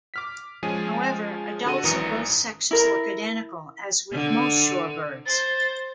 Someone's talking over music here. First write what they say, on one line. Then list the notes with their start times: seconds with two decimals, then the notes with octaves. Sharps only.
However, adults of both sexes look identical, as with most shorebirds.
0.14 D6 F6 B6
0.63 F3 G#3 C#4 G#4 G#5
1.65 D3 F#4 A4 D#7
1.83 G#1 F#2 E3 A#5 D#6 C#7
2.71 E4 A#4
4.13 D3
5.26 C5 A6